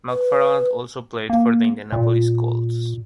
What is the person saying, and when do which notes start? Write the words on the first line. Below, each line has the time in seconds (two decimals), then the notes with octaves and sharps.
McFarland also played for the Indianapolis Colts.
0.10 B4
1.29 A#3
1.92 A#2